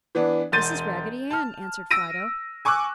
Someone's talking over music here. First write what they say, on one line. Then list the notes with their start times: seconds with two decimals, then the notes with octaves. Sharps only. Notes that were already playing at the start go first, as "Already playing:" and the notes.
"This is Raggedy Ann," answered Fido.
0.15 E3 B3 D4
0.52 E1 C6 G6 A6 D#7
1.31 A5 F6
1.91 E6 A#6 D7 D#7
2.65 G#5 C#6 D6 E6 F#6